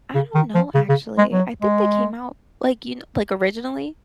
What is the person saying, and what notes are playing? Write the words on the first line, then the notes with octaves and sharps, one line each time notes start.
I don't know, actually, I think they came out, like, you kn like, originally?
C#3
D#3
F3
C#3
C#3
G#3
F#3
G#3